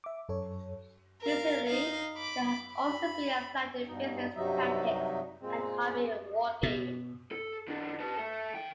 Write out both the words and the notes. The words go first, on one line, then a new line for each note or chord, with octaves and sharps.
Recently they have also been applied to business tactics and hobby wargaming.
E5 D6
F#2 A4 C#5
A#4 F5
D#4 F5
B5 D6
B5
G2 B2 D#4
G2 C3 F#3 D#4 E5
A#2 G#3 C4
B2
A4
D#3 D4
B4 A5
A4 E5
D#3 G5